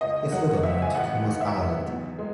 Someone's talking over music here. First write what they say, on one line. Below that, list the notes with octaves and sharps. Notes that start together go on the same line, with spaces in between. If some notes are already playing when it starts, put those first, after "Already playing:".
His widow married Thomas Ireland.
C#2 D#5
F#3 F#5
C#2 E5
G#5
A1 F#5
D#3
E5
F#3
E2
G#3